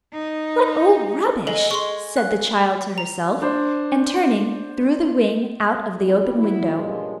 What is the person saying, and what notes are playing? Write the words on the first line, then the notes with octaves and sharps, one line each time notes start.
'What old rubbish,' said the child to herself, and, turning, threw the wing out of the open window.
D#4
G#3 A4
G#3 C6 C#6
F#6
A#5
D4 C5
F2 G3
F3 F#3 B3 E4
G2 A#2 C#3 F3 G#3